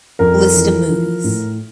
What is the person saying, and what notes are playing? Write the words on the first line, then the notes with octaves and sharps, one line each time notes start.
List of movies.
F2 A#4
E3
F3
A2